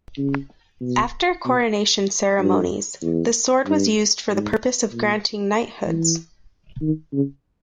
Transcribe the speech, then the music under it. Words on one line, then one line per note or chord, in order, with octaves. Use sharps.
After coronation ceremonies, the sword was used for the purpose of granting knighthoods.
C#3
B2
B2
G2
E2
G2
G#2
A#2
E3
D#3
C#3